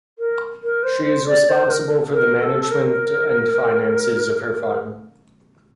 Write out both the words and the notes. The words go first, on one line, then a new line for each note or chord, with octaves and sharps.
She is responsible for the management and finances of her farm.
A#4
A#4
C5
C5
D5
C5
A#4
A#4
A4
A#4